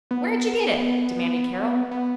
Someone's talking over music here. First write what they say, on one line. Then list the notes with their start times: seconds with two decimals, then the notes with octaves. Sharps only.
"Where'd you get it?" demanded Carroll.
0.11 B3
1.91 B3